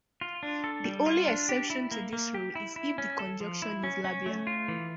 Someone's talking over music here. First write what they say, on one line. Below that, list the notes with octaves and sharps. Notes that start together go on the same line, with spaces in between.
The only exception to this rule is if the conjunction is labial.
F4
D4
A4
G3
F4
D4
G4
E4
A#3
A#3
G4
E4
E4
C#4
A4
F3
E4
C#4
C#4
A3
F4
E3